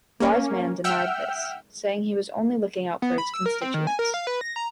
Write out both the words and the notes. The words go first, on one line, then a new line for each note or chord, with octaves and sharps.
Wiseman denied this, saying he was only looking out for his constituents.
A#3 C#4
E5 F#5 G5 E6 F6 G6
B3
B5
E6
A#4
C4
D#3
G#5
A#4
F5
B4
A#6
A#5